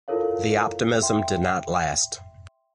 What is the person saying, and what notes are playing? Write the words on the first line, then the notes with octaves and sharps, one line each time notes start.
The optimism did not last.
E4 F4 A4 A#4 C#5 F5
E5 G5 C6